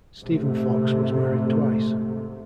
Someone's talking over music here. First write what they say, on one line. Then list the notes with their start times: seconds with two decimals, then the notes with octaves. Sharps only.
Stephen Fox was married twice.
0.20 A#1 G#2 C3 A3